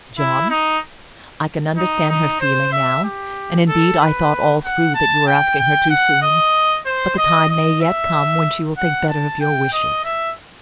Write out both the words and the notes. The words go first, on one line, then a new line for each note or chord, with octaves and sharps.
"And, John;--I can understand her feeling now; and indeed, I thought all through that you were asking her too soon; but the time may yet come when she will think better of your wishes."
E4
D#4
D#4
D#4
C5
E5
G4
A4
B4
F#5
A5
G5
G5
F#5
D#5
C5
D#5
D#5
E5
F#5
A5
G5
D#5
E5